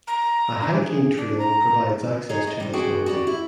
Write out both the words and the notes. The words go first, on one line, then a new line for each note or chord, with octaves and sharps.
A hiking trail provides access to this mountain.
A#5
D4
G#4
D4
A#5
D#4 G#4 C#5 D#5
D#5
C3 G3
D4 F#4 G#4 G5
F#4 G4 D5
E4